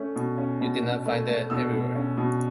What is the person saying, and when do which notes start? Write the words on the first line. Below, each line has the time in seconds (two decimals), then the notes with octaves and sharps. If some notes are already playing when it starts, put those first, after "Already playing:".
You did not find that everywhere.
Already playing: A3 C#4
0.16 B2
0.38 C#4
0.60 B2
0.83 B2
1.06 A3
1.28 A3
1.50 B2 E6
1.73 B2
1.95 C#4
2.17 B2